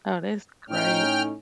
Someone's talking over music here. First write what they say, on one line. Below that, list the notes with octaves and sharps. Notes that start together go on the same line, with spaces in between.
Oh, that's great.
A2 C#4 D#4 G5 F6